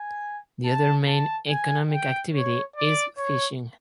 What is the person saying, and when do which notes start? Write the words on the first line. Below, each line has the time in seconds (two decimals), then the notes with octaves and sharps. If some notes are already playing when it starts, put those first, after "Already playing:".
The other main economic activity is fishing.
Already playing: G#5
0.66 A5
1.08 A5
1.49 G#5
1.91 G5
2.34 C#5
2.76 D5
3.17 C#5